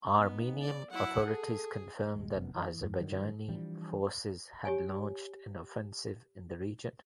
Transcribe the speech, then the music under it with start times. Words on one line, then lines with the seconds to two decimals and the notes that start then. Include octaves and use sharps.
Armenian authorities confirmed that Azerbaijani forces had launched an offensive in the region.
0.18 B3 D#4
0.62 D5
0.91 F#3 E4 F#5
1.25 G#4 A4
2.16 D#1 G#3
2.35 F1 F#2 B3
2.55 E3
2.82 F2 G#2
2.99 G2 D3 D#3 F#3
3.48 E3 F3 G3 D4
4.65 G4 C#5 G#5